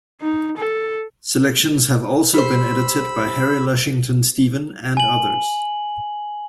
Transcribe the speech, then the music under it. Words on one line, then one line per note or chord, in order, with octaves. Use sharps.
Selections have also been edited by Harry Lushington Stephen and others.
D#4
A4
G3 C5 B5 E6
G#5 F#7